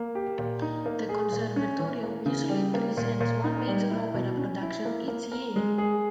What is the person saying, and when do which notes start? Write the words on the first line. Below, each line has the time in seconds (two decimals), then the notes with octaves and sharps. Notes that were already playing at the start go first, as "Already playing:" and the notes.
The Conservatorium usually presents one major opera production each year.
Already playing: A#3
0.15 G4
0.38 A#2
0.62 D#4
0.86 A#3
1.09 G#4
1.32 A#2
1.56 C#4
1.79 E3
2.03 A#3
2.26 C#3
2.50 G3
2.74 A#3
2.97 A#2
3.20 A#2
3.44 D#4
3.67 G3
3.90 E4
4.14 B2
4.37 C#4
4.62 E4
4.85 A#3
5.08 A#3
5.32 A#4
5.56 G#3
5.78 G#4